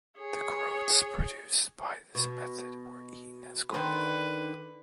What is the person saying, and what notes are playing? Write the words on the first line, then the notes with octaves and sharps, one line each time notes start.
The groats produced by this method were eaten as gruel.
G#4 C#5
B2
D3 D#3 B4 C5